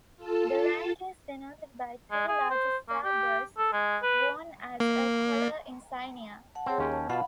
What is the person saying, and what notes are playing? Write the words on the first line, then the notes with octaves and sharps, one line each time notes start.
The rank is denoted by three large starbursts worn as a collar insignia.
F4 A4 A5
G#3
G#4
C5
A#3
G4
A4
G#3
B4
A#3
F#5 A5
C4 G#4 C#5 C6
D#2 C#4 G5
A5
B2 F4 F5 F#5 A5 B5